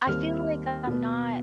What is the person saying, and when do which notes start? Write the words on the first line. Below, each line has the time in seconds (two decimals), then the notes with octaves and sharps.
I feel like I'm not
0.07 D#2 D#3 G3 C4 F6
0.87 B2 B3